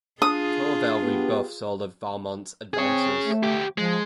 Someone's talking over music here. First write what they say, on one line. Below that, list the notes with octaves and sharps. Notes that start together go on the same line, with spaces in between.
Tourvel rebuffs all of Valmont's advances.
D4 F4 G#4 D#6
B3 G4
C4 G#4 C#5
A3
D2 G4
F3 G#3